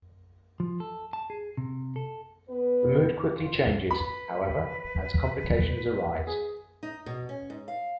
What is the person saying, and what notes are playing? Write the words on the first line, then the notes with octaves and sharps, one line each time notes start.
The mood quickly changes, however, as complications arise.
F3
A4
A5
G#4
C3
A4
B3 B4
F4
B4 B5
G#4
D#4
B2
C#4
G#2
F5